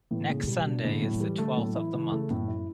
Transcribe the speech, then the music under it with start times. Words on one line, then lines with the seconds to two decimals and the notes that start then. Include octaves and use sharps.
Next Sunday is the twelfth of the month.
0.11 A2 E3
0.30 A2 C#3
0.47 B2 G3
0.65 B2 D4
0.84 A2 D3
1.02 A2 F#3
1.20 E3 G3
1.38 D3 A3
1.57 A2 F#3
1.75 E3 E4
1.94 C#3 E3
2.12 C#3 A3
2.30 F#2 A2
2.48 F#2 E4